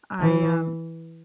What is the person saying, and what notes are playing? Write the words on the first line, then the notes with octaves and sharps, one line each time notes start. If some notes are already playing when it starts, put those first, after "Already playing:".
I, um
E3